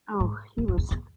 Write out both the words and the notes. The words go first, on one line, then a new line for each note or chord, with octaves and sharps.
Oh, he was
G#2
E2
F#2
E2
E2